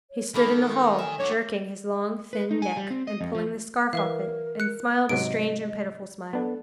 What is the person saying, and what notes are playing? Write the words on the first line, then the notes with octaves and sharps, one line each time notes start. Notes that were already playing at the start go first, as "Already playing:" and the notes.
He stood in the hall, jerking his long thin neck, and pulling the scarf off it, and smiled a strange and pitiful smile.
C#5
D#3 A3 A#3 B5
D#4
E5 G#5
G2 F#3 C#5 D6
B4
D#4
G#5
G3
C4
D#5
F2
F3
E3 A#4 B4 E5 F5
F#6 C#7
G#2 C3 F#3 D#5 D7
B3 D4 A4